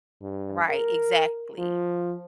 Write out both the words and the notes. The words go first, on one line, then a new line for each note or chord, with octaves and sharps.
right, exactly.
G2
A#4
F3